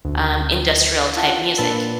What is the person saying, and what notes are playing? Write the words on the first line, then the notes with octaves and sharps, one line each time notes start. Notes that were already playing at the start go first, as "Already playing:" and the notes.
um, industrial type music.
D2
E4 F4 F#5 A5
A#2 D4 B4 A5 E6 A6